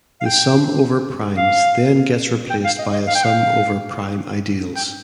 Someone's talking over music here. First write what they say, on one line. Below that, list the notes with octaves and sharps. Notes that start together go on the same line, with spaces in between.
The sum over primes then gets replaced by a sum over prime ideals.
F5
G5
F5
G5
F5
D#5
D#5
F5
G5
F5
G5